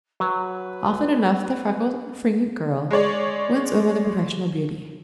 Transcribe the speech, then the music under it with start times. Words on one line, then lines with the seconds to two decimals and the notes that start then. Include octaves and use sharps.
Often enough the freckled and fringrant girl wins over the professional beauty.
0.20 F#3 B4
2.91 G#3 G#4 C#5 D5